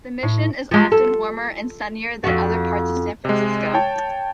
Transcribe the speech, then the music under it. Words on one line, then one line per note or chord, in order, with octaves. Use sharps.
The Mission is often warmer and sunnier than other parts of San Francisco.
A2
F3 G#3
A4
F2 F#4
C3 G#3
C#5 G5 A5